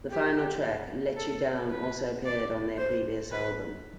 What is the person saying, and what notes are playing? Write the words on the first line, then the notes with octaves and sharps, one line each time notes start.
The final track, "Let You Down," also appeared on their previous album.
G4
A4
B4
D5
C5
B4